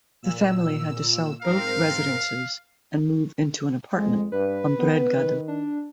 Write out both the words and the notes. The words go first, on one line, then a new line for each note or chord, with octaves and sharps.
The family had to sell both residences and move into an apartment on Bredgade.
A#2 E6
G#2 C4 A#4 F5
F2 G#3
G2 B4
B3
D#3
D4